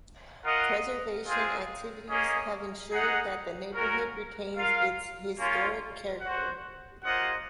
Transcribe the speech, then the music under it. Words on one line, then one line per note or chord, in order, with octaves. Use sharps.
Preservation activities have ensured that the neighborhood retains its historic character.
F4 A#4 D#5 F#5
G#3 C4 F4 G#4 C5
A#3 C#4 G#4 D#5
D#4 G#4 D#5 F#5
C#4 F#4 A#4
F4 A#4 F5
A#3 C#4 F4
F#4 C5 F#5
A#3 F4 C5 D#5 F#5